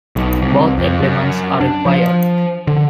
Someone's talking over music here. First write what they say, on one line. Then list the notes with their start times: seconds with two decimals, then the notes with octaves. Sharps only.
Both elements are required.
0.16 B1
0.42 C2
0.78 F2
1.03 F#2
1.61 D4
1.86 F3
2.67 D3